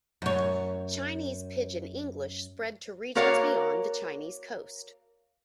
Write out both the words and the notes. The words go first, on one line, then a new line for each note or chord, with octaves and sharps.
Chinese Pidgin English spread to regions beyond the Chinese Coast.
F#2 C#5
A#3 F#4 A#4 C#5 D5 F5